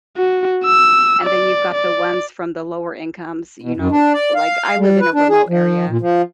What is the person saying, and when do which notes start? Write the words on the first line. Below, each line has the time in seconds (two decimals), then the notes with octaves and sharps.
and then you've got the ones from the lower incomes, you know like, I live in a remote area,
0.17 F#4
0.65 E6
1.24 D5
1.74 D5
3.62 B2
3.77 F#2
3.91 D4
4.14 D5
4.35 F5
4.78 G3
5.01 B4
5.14 D4
5.30 G#4
5.49 F3
5.89 A#2
6.01 F3